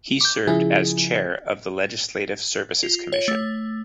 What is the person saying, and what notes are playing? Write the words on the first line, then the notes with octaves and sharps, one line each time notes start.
He served as Chair of the Legislative Services Commission.
D6 G6
C#3 F3 E4 G#4
F4
C#5
A3